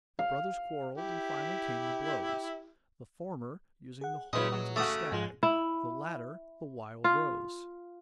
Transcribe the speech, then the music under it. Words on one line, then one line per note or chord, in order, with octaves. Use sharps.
The brothers quarrelled, and finally came to blows; the former using the horns of a stag, the latter the wild rose.
F5
E4 G4
G#4 F#5
A#2 C#3 G#3 E4 B4 D#5
F#3
C#3 A3 F#4 D6 D#6
G#2 F3 G#3 F4
E4
F4